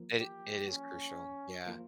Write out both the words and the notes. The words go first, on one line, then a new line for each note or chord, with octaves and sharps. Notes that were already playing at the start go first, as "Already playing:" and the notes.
It i it is crucial. Yeah.
Already playing: F3 A#3 F4 A#4
G4
C#4
F3 A#3 F4